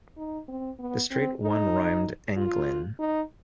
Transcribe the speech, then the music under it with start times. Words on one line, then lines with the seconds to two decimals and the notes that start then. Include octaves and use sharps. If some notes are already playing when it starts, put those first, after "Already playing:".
The straight one-rhymed englyn.
0.17 D#4
0.48 C4
0.79 B3
1.11 C4
1.42 D#4
2.37 F4
2.99 D#4